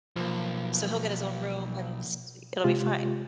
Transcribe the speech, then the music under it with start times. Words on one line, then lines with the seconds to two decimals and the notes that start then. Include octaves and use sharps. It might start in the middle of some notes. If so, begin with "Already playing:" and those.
So, he'll get his own room, and, s e it'll be fine.
0.16 B1 F3 A#3
2.64 C3 G#3 F4 G4